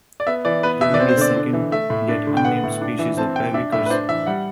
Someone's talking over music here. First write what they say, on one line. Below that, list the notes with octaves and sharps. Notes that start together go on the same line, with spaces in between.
There may be a second, yet-unnamed, species of "Parvicursor".
D5
B3 E5
E3 D5
B3 B4
B2 E5
D5
C4
C5
D3 D5
D4
E3
A3 E5
A2
D4
D3
G5
B3 F#5
A2
D4
E3
C4 A5
C3 G5
D4 E5
A2 E5
B4
D4 C5
E3 E5
G3 F#5